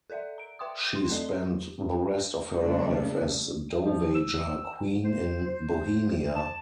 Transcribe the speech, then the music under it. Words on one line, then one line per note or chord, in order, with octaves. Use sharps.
She spent the rest of her life as Dowager Queen in Bohemia.
A4 A#4 D5 E5 F#5
A#5 D7
B4 E5 G5 C6 D6 D#6
C6
A3 C4 A4 D5 D#5 G7
C#3 G3 A3 A#3 D4
F3
E6
C5
C5
A5